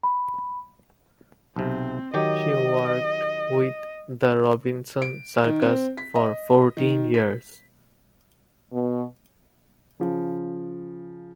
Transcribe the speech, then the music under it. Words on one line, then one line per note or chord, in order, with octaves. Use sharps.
She worked with the Robinson circus for fourteen years.
B5
B1 C3 C4
D#3 F#3 G4 D#5
D7
D#3
C4
B6
D#5
D#3
B6
B2
C#3 F3